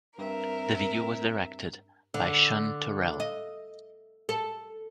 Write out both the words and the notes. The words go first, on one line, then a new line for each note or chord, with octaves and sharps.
The video was directed by Sean Turrell.
G2 C4 A#4 E5
D3
D#5
A4